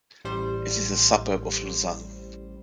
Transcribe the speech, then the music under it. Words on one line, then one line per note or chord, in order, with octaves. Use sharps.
It is a suburb of Lausanne.
A1 G3 C5